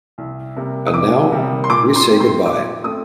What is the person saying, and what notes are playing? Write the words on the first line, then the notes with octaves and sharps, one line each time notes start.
And now, we say goodbye.
C2
C3 G3 A#3
D#6
C2 D6
C3 G3 A#3
C6
A#2 D6
C6
A3 C4
C6
A#2 D6
A3 C4 D#6